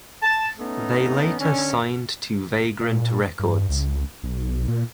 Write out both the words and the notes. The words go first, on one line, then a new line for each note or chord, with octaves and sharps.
They later signed to Vagrant Records.
A5
A3 B3 C#4 D#4
D3 C#4
A#2
G2
C#2
B1
A#2